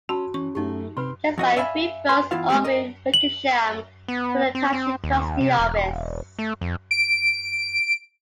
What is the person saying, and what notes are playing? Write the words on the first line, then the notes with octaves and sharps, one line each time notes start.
Just by Three Votes Orvil Wickersham took the Township Trustee office.
C#4 F#4 A5 B5 C6
E3 C#4 C#6
F#2 A3 D#4 F#4 G4
C3 C4 B4 B5 C6
F2 F#4 D#5
D5 E5 F5 G#5 B5
B4 C6
E2 E4 F4 F5
G#3 C4 G4
A#4 D#5
F#7
B3
C4
C4
D#2
C3
E1
A3
F2
D7